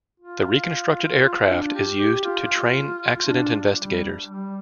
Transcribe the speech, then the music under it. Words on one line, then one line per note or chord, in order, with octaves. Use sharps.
The reconstructed aircraft is used to train accident investigators.
F4
F4
D4
G4
G4
F4
D4
G3
G3